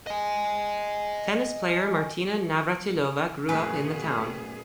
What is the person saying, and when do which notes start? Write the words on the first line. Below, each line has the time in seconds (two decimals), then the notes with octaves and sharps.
Tennis player Martina Navratilova grew up in the town.
0.07 D#5 G#5
3.49 F#2 A#2 A3 B3 G#4 B4 G#5